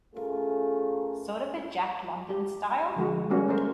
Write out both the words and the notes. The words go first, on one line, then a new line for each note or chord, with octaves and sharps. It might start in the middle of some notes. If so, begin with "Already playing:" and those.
Sort of a Jack London style?
A3 C#4 F4 G#4 A#4
G4
D3 F3 G#3 F#4
G3 G#3 A#3 C#4 F#4
A3 A#4 C5